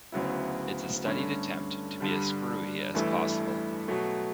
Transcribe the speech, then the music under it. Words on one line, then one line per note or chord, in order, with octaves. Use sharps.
It's a studied attempt to be as screwy as possible.
D2 C#3 F#3 B3 E4
G2 D3 A3 C#4
G2 D3 G3
A1 G2 E3 A3 E4
B2 F#3 A3